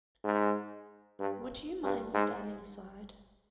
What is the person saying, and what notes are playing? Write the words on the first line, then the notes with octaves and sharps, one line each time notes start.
Would you mind standing aside?
G#2
G2
G2
G#2